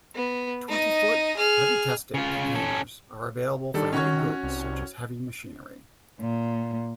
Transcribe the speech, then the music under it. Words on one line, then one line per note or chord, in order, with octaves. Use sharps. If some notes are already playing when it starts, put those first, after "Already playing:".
Twenty-foot, "heavy tested" containers are available for heavy goods such as heavy machinery.
B3
D#4 D#5
G#4 F6
C#3 F4
C#4 A4
D#3 G3 D4 A4
C#4 F#4 C#5
C2
A#2